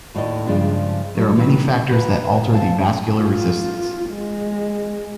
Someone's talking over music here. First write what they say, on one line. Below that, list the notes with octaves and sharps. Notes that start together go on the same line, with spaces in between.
There are many factors that alter the vascular resistance.
D#2 A2 A4 D5 D#5
G2 C#3 F3 G#3 D4
F#3 G3 A4
D#3 E3
F4 A#4 B4
C5 F5 F#5 A5
F4
G#3